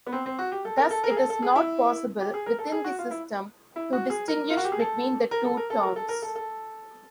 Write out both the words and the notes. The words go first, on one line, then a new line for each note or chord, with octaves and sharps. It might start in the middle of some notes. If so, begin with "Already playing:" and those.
Thus it is not possible, within the system, to distinguish between the two terms.
B3
C4
C4
F#4
G4
A4
A#4
A4
A#4
G#4
A4
A4
G#4
E4
G4
G#4
A#4
A4
G#4
F#4
F4
E4
E4
F#4
G#4
A#4
F4
F#4
G4
G#4
A4
A#4
A4
A#4
A4
A#4
A4
A#4
A4
A4